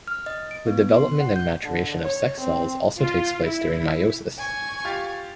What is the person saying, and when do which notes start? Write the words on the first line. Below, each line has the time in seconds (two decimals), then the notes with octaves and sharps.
The development and maturation of sex cells also takes place during meiosis.
0.08 F6
0.26 D#5
0.51 D7
0.67 B3
0.95 C6
1.20 F#5
1.36 G6
1.63 D3
2.04 C#5
2.40 C4
2.96 F4
3.42 E4
4.39 G#5 C#6
4.85 F4 G4 A6